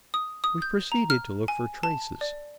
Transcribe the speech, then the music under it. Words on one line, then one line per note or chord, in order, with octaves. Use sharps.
We proceeded to look for traces.
D#6
D#6
G6
A#5
F6
G#5
A5
D5